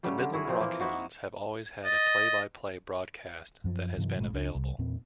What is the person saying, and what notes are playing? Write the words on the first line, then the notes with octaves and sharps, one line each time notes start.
The Midland Rockhounds have always had a play-by-play broadcast that has been available.
C#3 F#3 G3 A3
D3
E4 F#4 G#4
A#2 F3 C4
E3 F3 A#3
D#4 E4 F#4 C5
D#5 A6
F#2 F3
G2 C3 E3 F#3
G1 A#2 G#3 A3
C#2 D4
C2
E2 A#2 C4